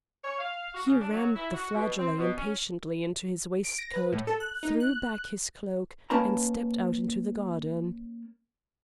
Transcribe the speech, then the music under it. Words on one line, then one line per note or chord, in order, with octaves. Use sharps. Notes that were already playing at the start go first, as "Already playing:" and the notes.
He rammed the flageolet impatiently into his waistcoat, threw back his cloak, and stepped out into the garden.
C#5
F5
F#4
C#3
D4
F#3
E4
F#4
B2
C4
B2
C#4
D7
A#6
B4
A2
A4
F#6
D#4
F#6
A#3 C#4 A#4 B4 A5 A#5